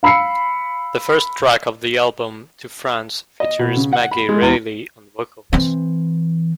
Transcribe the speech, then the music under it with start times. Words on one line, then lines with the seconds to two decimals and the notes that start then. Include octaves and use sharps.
The first track of the album, "To France", features Maggie Reilly on vocals.
0.03 F5 B5 E6 C7 C#7
3.40 D#5
3.59 B2
3.77 C#3
3.93 F#5
4.11 B5
4.29 G#3
4.42 E2
5.53 E3 C4